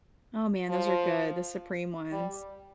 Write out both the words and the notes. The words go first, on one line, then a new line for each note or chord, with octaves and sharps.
Oh, man, those are good, the supreme ones.
F3
G3